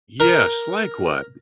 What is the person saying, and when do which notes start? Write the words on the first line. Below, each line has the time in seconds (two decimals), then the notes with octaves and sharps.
Yes, likewise.
0.20 A#4